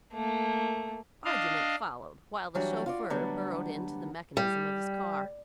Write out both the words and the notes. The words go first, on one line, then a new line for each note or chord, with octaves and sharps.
Argument followed while the chauffeur burrowed into the mechanism of his car.
A3 A#3
D4 D#5 F5
E3 F#3 G3 D4 F#4
F4 F#4 D5
D2 F#3 G3 B3 D4
G3